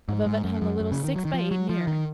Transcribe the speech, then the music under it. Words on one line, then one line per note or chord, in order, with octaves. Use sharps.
Above it hung a little six-by-eight mirror.
G#2
G#2
F#2
F#2
F#2
C#3
D#3
F#3
D#3
F3
F#3
F3
D#3